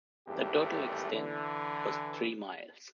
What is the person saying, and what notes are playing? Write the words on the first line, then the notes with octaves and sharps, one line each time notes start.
The total extent was three miles.
G#1 E2 G2 A3 G4
D3 E3